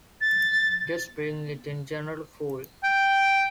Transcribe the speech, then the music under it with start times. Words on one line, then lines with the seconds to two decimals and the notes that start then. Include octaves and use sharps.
Just bring it in general, fool!
0.21 A6
2.84 G5